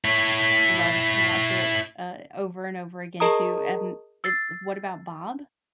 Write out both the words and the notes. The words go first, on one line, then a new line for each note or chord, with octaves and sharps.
loves to watch it, uh, over and over again, too. And it What About Bob?
E4 C#5
G#4 A#4 D#5 A5 A#5 D#6
E6 A6 C7